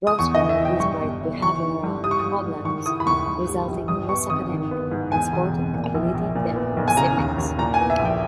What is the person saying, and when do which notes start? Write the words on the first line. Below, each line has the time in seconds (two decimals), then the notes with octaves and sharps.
Rosemary displayed behavioral problems, resulting in less academic and sporting ability than her siblings.
0.07 D#6
0.19 E2 C#6
0.35 E3 D#5
0.49 E5
0.60 E1 G5
0.80 G2 C#6
1.01 G1
1.21 G1
1.42 E3 C#6
1.62 D#4
1.83 G2
2.04 G3 D#6
2.11 C#6
2.19 G#2 D#6
2.44 G#2
2.65 D#3 C#6
2.86 E4 D#6
3.00 B5
3.06 D#2 C#6
3.27 G#2
3.47 G3
3.68 A#1
3.88 G2 D#6
4.09 B3 C#6
4.30 G#1 D#6
4.51 D#3
4.71 B3
4.91 G#2
5.12 E2 G#5
5.32 E1
5.53 E1
5.74 A#2
5.94 A#1
6.15 A#1
6.35 A#2
6.56 B3
6.77 B1
6.88 G#5
6.97 C#3 A#5
7.17 D#2
7.38 D#2
7.58 A#2 A#5
7.74 G#5
7.79 B3
7.90 E5
7.99 A#1
8.05 G5